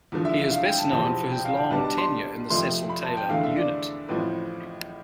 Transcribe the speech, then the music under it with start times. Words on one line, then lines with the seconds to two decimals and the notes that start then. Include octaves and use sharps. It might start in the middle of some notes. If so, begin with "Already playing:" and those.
He is best known for his long tenure in the Cecil Taylor Unit.
0.12 E2 D3 F3
0.25 E5
0.38 E5
0.52 F5
0.65 G5
0.78 A5
0.91 E1 E2 C3 F3 C4 A5
1.31 G5
1.45 F5
1.57 G5
1.71 B1 B2 G3 B3 D4 A5
1.84 A5
1.98 C6
2.50 F2 C3 F3 A3 C6
2.89 B5
3.03 A5
3.17 G5
3.29 E2 D3 A3 F5
3.43 E5
3.56 D5
4.08 A1 A2 F3 C4 B4